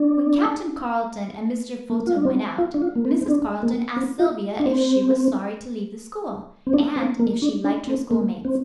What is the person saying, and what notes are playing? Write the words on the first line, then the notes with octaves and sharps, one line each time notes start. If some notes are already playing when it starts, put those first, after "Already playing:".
When Captain Carleton and Mr. Fulton went out Mrs. Carleton asked Sylvia if she was sorry to leave the school, and if she liked her schoolmates.
Already playing: D4
A#3
F4
D4
C4
F4
D4
F4
A#3
C4
C4
D4
A#3
C4
F4
D4
C4
C4
D4
C4
A#3
D4
D4
C4
A#3
C4